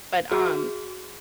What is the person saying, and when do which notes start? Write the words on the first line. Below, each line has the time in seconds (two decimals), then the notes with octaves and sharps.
But, um
0.32 F#4 G#4